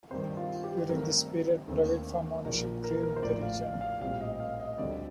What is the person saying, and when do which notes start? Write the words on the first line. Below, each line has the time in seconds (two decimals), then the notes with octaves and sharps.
During this period, private farm ownership grew in the region.
0.10 G2 D#3 G3 C4 C5
0.37 F4
0.64 G4
0.89 G2 D#3 A3 C4 A#4
1.68 D#2 D3 A3 C4
2.45 A#1 A#2 F3 A#4
2.84 A#4
3.03 A#4
3.16 C5
3.23 A1 A2 F3 D5
3.43 F5
3.62 F5
3.81 F5
4.00 A#1 A2 G3 C4 F5
4.21 D#5
4.40 F5
4.60 D#5
4.78 D2 D3 G3 C4 D5